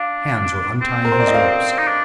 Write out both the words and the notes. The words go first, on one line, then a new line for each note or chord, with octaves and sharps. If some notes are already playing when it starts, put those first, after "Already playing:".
Hands were untying his ropes.
Already playing: D4 F5
C4
A#4
C5
D5
D#5
F5
D#4
D4